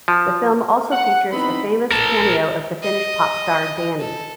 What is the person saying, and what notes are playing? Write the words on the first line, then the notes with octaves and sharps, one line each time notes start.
The film also features a famous cameo of the Finnish pop-star Danny.
F3
F#5
E3 B3 C4 D#4 B5
A#4 A5
D#5
A4